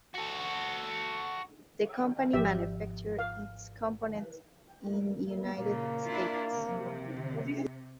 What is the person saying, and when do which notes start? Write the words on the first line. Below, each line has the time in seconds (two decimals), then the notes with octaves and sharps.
The company manufactures its components in the United States.
0.14 F#4 A4
2.33 G#1 F3 G4 E5
3.19 F5
5.59 A#2 C#3 A#3
6.06 D4 E4 F4
6.54 C3